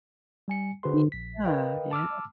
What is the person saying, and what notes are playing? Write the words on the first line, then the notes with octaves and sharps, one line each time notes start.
M yeah, yeah.
G3 G#5 C#7
D3 F#4 G#4 B4 C5 C6
A#1 B6
A#4 B4 D#5 F5 G5
A5 D6 E6 F6